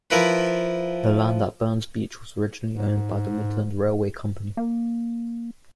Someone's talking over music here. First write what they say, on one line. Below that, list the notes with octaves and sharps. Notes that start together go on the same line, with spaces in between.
The land at Burns Beach was originally owned by the Midland Railway Company.
F3 E4 A#4 B4
G#2
A#3